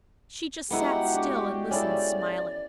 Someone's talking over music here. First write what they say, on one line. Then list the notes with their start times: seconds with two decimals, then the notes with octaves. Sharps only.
She just sat still and listened, smiling.
0.71 G#2 G#3 B3 D#4 E4 F#4 G4 F#5
1.14 D4
1.71 C#4 E4 A4 D5